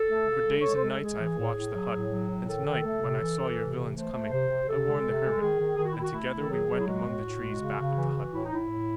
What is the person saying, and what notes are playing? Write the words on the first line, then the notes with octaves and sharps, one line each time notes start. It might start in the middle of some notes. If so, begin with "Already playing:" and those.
For days and nights I have watched the hut, and tonight, when I saw your villains coming, I warned the hermit, and together we went among the trees back of the hut.
Already playing: A4
A3
C#3
G#3
G#3 C#5
C5
G#3
A4
G#3 G#4
E3
A2
A2
F#3
A2
F#3
A2
D#3 A4
D#3
A3
C3
E3
E3
C3
E3
A3 C5
A3
C3 C5
C3
C3 A4
G#3
C3
G#3
D#3 G#4
D#3
D#3 G#4
F#4
D#3 E4
F#4
A3 E4
D#3
A4
F#3 G#4
F#3
E4
G#3 F#4
A2
A2
G#3
C#3
C#3
E3
E3
A2 E4
D#4
A2 E4
A2